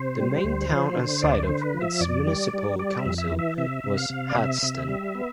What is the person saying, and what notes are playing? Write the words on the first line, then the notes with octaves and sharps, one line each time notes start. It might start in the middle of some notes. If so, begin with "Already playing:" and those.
The main town and site of its municipal council was Hadsten.
Already playing: C3 C5
G3
D2
F3
D3
D2 D5
C5
D3
B4
F3
E5
F2 D5
G3
G3
G3 D5
E5
F2
E5
E3
E5
C3 E5
C3
F5
C3
D5
C3 E5
C3
G3
B3